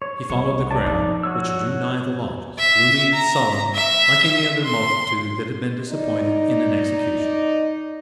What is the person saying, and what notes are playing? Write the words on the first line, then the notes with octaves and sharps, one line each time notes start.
He followed the crowd, which drew nigh the lodges, gloomy and sullen, like any other multitude that had been disappointed in an execution.
C#5
C2 C#5
D#4 D5 A5
F3
F#4 C#5 E6
E5
A#5
E5
C6
D#4 D5